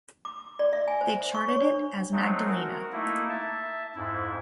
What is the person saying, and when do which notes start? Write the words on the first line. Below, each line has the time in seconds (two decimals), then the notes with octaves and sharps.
They charted it as "Magdalena".
0.25 D6
0.59 D5
0.73 E5
0.88 G#5
1.01 C5
1.21 C5
1.35 C#6
1.48 C#5
1.61 D4
2.13 F#3 G#3 A3 C4 D#4
2.45 F#4 A#4
2.93 A3 A#3 D#4 E4
3.29 E5 A5
3.96 F2 G#2 E4